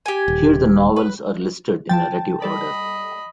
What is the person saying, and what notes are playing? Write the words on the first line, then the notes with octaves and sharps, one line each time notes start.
Here the novels are listed in narrative order.
G4 G#5
D#1
B4
F3 G5 A5 A6
G3 A4 D5 D#5 B5